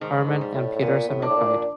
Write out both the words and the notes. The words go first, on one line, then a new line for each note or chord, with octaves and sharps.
Herman and Peterson replied.
G#2 D#3
G#2
G3
A2
A2
A#2 B3
A2
D4
A2
A#2